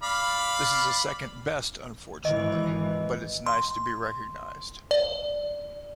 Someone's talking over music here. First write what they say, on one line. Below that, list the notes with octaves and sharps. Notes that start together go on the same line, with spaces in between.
This is a second best unfortunately, but it's nice to be recognised.
D5 F5 B5
G#1 E3 D#5
C6
D5